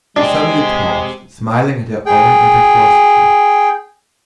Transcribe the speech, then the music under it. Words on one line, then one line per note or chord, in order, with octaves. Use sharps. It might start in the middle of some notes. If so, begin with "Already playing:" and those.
She suddenly paused, smiling at her own impetuosity.
G#3 C4 D4 G4
G#4 G5